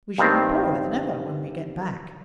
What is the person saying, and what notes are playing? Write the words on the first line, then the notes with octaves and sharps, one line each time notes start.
We shall be poorer than ever when we get back.
G2 D#3 C4